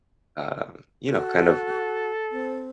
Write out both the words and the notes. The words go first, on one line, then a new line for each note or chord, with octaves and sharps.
uh, you know, kind of,
F#4 A4
C4